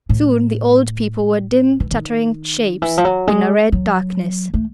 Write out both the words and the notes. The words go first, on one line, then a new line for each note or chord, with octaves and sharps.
Soon the old people were dim chattering shapes in a red darkness.
A2
E3
D#3
E3
F3
F#3
G#3
F#3
A3